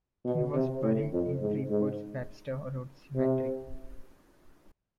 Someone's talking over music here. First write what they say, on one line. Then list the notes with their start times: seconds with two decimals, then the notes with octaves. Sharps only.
He was buried in Freeport's Webster Road Cemetery.
0.25 B2
0.54 C3
0.83 A2
1.13 F2
1.41 G#2
1.70 G#2
3.16 C3